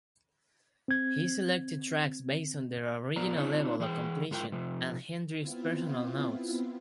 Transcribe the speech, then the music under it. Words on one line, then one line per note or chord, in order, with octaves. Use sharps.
He selected tracks based on their original level of completion and Hendrix's personal notes.
C4 G#6
A#2 F3 B3 A#4 D5 A#5
C4 D4 D#4 F4 C#5
E3 G#4 G5
G#2 F4 A#4 G5
C3 F3
B3 C4 E4 F4